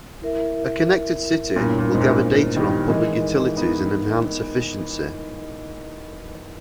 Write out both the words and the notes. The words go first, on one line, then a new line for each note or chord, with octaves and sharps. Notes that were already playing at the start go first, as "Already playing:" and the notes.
A connected city will gather data on public utilities and enhance efficiency.
E4 A#4 E5
G2 A#2 B3 E4 A#4 C#5
G2 A#2
G#2
G2 A#2
G#2
D#3 G3
E3 G#3 D#4 A#4 D#5
B3 D#4